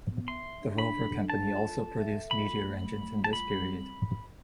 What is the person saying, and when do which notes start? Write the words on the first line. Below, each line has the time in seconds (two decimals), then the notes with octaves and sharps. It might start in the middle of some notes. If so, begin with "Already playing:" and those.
The Rover Company also produced Meteor engines in this period.
0.11 B3
0.27 E5 C6
0.44 E5
0.61 D4
0.78 D4 B5
0.95 A4
1.13 D4
1.29 A4 A5
1.46 F4
1.64 A4
1.81 A4
1.98 E5
2.15 A4
2.31 F4 B5
2.48 A3
2.65 A3
2.82 A3
2.99 A3
3.16 F4
3.24 A5
3.33 G3 B5
3.50 G3
3.66 C4